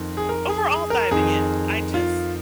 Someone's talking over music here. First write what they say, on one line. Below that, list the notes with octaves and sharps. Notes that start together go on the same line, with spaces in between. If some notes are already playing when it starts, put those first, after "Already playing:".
overall diving in, I just
Already playing: F2 D#3
G#4
A#4
G#4
G#4
A#4
F2 D#3 G#4
F4